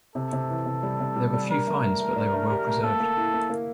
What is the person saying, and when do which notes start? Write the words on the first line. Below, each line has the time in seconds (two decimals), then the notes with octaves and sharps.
There were few finds but they were well-preserved.
0.15 C3 A4
0.33 C3
0.49 E3
0.66 C3
0.83 G3
1.00 C3
1.16 G3
1.33 G3
1.50 D4 A#4
1.67 A3
1.83 A3
2.00 A3
2.16 D4
2.33 A3
2.50 G4
2.67 A3
2.83 A#3 A4
3.00 A#3
3.17 E4
3.34 A#3
3.50 A#3